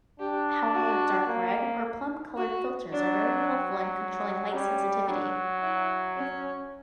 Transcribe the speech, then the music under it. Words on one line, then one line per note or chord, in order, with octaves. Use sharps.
However, dark red or plum colored filters are very helpful in controlling light sensitivity.
D4 G4
F#4
A#3
F#4
F#3 D4
G3 C#4
F#3 D4
E4
C#4